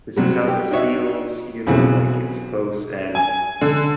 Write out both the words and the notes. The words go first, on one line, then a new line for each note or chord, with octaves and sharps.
this is how this feels," you know, like, it's close, and,
C3 F#3 G3
G4
D4 D#4 F#4 C#5 E5
B1 F2 C#3 E3 F#3
G#5
D3